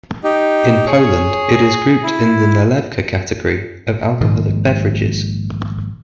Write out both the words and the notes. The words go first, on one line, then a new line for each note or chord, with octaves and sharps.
In Poland it is grouped in the nalewka category of alcoholic beverages.
D#4 G4
G#4 C#5
E4
A#1 G#2 D#3 G#3